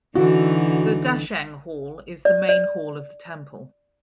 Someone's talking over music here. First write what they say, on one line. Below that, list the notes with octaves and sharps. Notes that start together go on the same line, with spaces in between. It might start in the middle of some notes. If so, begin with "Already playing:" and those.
The Dacheng Hall is the main hall of the temple.
D3 E3 D#4 F#4
D5
D5